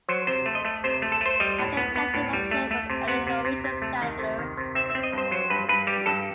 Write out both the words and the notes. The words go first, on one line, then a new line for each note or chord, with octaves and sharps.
Hagen Township was named for an early Norwegian settler.
F#3 C5
C3 C5
A3
D#5
A3
C3 C5
A3
A4
A3 C5
G3 D#5
A2
B3
B3
A2
G3
A3
A3
C3
C3 F#5
C3
C3
C3
A3
D#3
C3
D#3
C3
C4 E5
E5
C4
D#5
G2
C5
F#3 C5
G2 B4
G2 B4
G3 G4
G2 A4